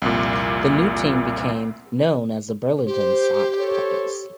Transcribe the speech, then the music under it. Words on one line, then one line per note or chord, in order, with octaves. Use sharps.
The new team became known as the Burlington Sock Puppets.
C2 F2 A#2
G4 C5
A4 C5 C#5